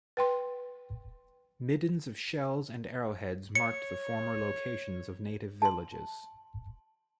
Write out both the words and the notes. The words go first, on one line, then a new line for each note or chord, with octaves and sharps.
Middens of shells and arrowheads marked the former locations of native villages.
B4 G5 C6
C#5 C#7
A5 C6